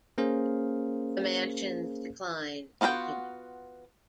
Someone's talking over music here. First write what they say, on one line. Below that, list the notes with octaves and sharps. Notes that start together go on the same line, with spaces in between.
The mansion's decline continued.
A#3 C#4 G#4 A#4 C5 F5
B3 F4 F#4 B4 G5